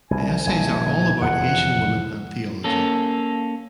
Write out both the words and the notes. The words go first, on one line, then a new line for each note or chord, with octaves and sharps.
The essays are all about Asian woman and theology.
C2 G#5
D#1 A#1 D#2 G#5
F1 E2 F3 F#5
A#3 C#4 A4